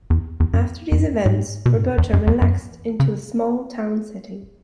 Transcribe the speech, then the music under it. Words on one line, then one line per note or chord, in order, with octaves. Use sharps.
After these events, Roberta relaxed into a more small-town setting.
E2
E2
F#2
E2
F#2
G#2
B2
G#2
F#2
E2
F#2
E2
F#2
C#3